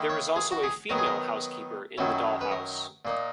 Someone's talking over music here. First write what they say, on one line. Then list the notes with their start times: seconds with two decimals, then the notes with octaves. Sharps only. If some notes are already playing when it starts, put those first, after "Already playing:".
There is also a female housekeeper in the dollhouse.
Already playing: D#3 A#3 E4
0.09 C#5
0.36 G#4
0.52 F#4
0.63 G#4
0.89 D#3 F#3 B3 A#4
0.98 G#4
1.06 A#4
1.98 F#2 D#3 F#3 C#4 E4
2.41 B4
2.51 A#4
3.05 A#2 A#3 D#4